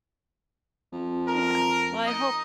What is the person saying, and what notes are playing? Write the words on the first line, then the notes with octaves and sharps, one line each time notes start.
Yeah, well, I hope
F2
A#4
D#4 D#5